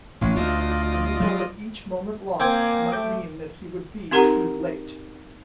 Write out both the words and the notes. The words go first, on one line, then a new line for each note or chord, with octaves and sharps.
And he felt that each moment lost might mean that he would be too late.
A1 C#4
D2 F4 D5 D#5
F#3 G3
A#3 C4 G#5 D6 G6
A3 D6 G6
C4 D#4 G4 A#4 F#5 A#5